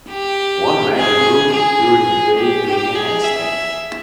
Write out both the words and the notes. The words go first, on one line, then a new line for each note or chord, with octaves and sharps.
One man in a room during the day doing a handstand.
G4
G#4
G#4
G4
G4
G#4
E5